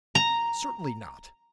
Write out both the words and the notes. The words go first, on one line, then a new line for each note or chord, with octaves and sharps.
'Certainly not.
A#5